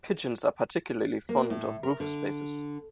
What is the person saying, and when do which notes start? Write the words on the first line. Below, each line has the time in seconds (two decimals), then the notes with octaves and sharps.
Pigeons are particularly fond of roof spaces.
1.29 A#3
1.50 A2
1.83 A#4
2.00 D3